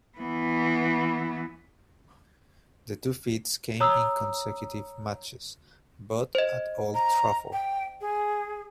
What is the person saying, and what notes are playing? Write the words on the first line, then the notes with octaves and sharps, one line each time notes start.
The two feats came in consecutive matches, both at Old Trafford.
E3 B3
C#5 A#5 D#6 E6
C5 D#5
A#5
G5
G#4